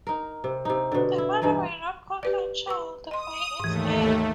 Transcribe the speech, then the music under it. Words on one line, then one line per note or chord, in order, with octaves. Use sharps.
The mother may not call her child by its name.
D#4 A#4
C3
C3 D#4
B2 D3
E4
G2 E3 D#4 D#5
G4 B4 D5
B4 C#6 E6
D#5 C6 D#6
D#2 G#2 E3 A3